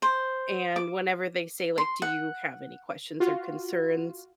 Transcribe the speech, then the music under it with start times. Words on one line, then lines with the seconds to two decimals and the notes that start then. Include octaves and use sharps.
and whenever they say, like, "Do you have any questions or concerns?"
0.02 C5
0.76 D6
1.78 C6
2.02 F#5
3.20 F4 F#4